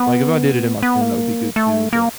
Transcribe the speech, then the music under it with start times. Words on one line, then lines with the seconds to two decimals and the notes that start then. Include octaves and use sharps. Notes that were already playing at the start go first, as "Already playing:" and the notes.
Like, if I did it in my phone, that would be good too, but
Already playing: B3
0.83 B3
1.01 A#3
1.56 A3
1.93 A#3